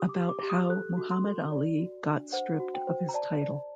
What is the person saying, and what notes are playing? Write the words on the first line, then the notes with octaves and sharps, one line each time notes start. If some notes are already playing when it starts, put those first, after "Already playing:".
About how Muhammad Ali got stripped of his title.
Already playing: G4 D#6
D6
G4
D6
G4 D6
D#6
A4 F#6
F#4
C6
A4
D5
F#4
D4
C5 F#5
F#4
G5
C5
A#5
D5 A5
D5